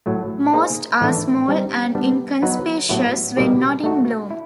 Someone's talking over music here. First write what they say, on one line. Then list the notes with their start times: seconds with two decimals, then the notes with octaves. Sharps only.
Most are small and inconspicuous when not in bloom.
0.06 A2 F#3 A3
0.53 A#3 D#4 G#4 C5
1.01 A2 E3 A3 D4
1.48 G3 C4 D#4
1.95 G3 B3 D4
2.42 F#3 B3 D#4 F#4 B4
2.89 A2 F#3 B3 E4 G4
3.37 B2 G3 A#3 D#4 G4
3.84 A3 D4 F#4
4.31 E4